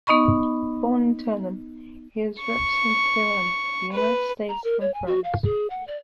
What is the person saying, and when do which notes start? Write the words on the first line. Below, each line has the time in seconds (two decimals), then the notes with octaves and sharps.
Born in Tehran, he has represented Iran, the United States, and France.
0.07 B3 D#4 D#5 B5 C#6
2.40 C#6
3.93 B4
4.49 A#5
4.64 A#4
4.81 C#5
4.94 G#5
5.07 F#4
5.24 F5
5.44 G#4
5.70 F#5
5.87 D5